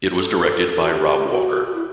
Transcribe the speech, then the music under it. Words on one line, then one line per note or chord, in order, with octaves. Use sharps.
It was directed by Rob Walker.
A4
F#4
G4
F#4
F#4
E4